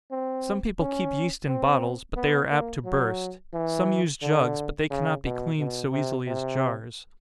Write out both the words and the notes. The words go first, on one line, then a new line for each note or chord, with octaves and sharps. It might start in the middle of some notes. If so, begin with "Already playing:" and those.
Some people keep yeast in bottles, but they are apt to burst--some use jugs, but they cannot be cleaned so easily as jars.
C4
C#4
C4
B3
A#3
F#3
E3
D3
C#3
B2
B2
C3
C3